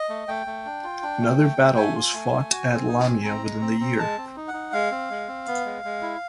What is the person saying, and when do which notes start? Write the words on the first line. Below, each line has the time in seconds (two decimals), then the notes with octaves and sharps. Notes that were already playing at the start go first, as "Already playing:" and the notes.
Another battle was fought at Lamia within the year.
Already playing: D#5
0.09 A3
0.28 A3 G5
0.46 A3
0.65 D4
0.84 F4
1.02 D4
1.21 A3
1.40 A3
1.58 A3
1.76 A3 G#5
1.95 F4
2.13 A3
2.32 A3
2.50 F#4
2.69 C4
2.88 D#4
3.06 C4
3.24 C4 A#5
3.43 G#3
3.61 C4
3.80 C4
3.99 G#3 A5
4.18 C4
4.36 D#4
4.48 F#5
4.54 D#4
4.73 G#3 F5
4.91 C4
5.10 G#3
5.28 C4
5.47 B3
5.65 G#3
5.85 G#3
6.02 E4